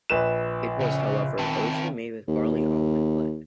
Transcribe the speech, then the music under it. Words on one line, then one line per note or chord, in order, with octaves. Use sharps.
It was, however, originally made with a barley-almond blend.
A#1 B4 E7
C#3
D#3 C4 A5
D#2